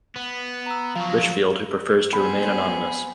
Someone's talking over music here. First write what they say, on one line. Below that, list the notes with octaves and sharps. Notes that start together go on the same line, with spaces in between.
Richfield who prefers to remain anonymous.
B3
A#5 E6
F3 F#3 F5
B3 C4 G#4 C5 B5